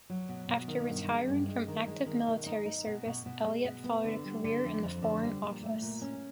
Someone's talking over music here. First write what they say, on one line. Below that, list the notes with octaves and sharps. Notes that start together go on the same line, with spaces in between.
After retiring from active military service, Elliot followed a career in the Foreign Office.
F#3
B2
B2
D#3
G2
G#3
G2
G#3
D#3
G#3
D#3
B2
D#4
D#4
B2
B2
B2
G#3
B2
B3
D3
G3
D3
F2
F2
D3
G3
A#2
A3
A#2
C#4